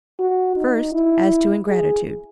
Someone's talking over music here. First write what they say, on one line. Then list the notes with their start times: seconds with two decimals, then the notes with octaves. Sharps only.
First, as to ingratitude.
0.20 F#4
0.57 D#4
0.93 E4
1.67 G#4